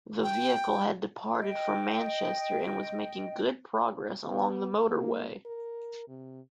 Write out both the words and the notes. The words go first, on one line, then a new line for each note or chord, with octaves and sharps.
The vehicle had departed from Manchester and was making good progress along the motorway.
G5
D#5 G5
B3
A#3
A#4
C3